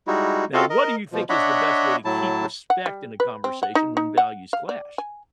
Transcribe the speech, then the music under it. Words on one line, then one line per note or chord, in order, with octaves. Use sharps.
Now, what do you think is the best way to keep respect in a conversation when values clash?
G3 G#3 D#4 E4 F#4
C4 F4 F#4 A4 D#5 F5
A#4 D#5
B2 F3
D4 C#5 D#5 E5 F#5 B5
A2 F#3 E4 A5
F#5
G3
B4
C4
F#5
D#4
D#4
F#5
F5
D5
G#5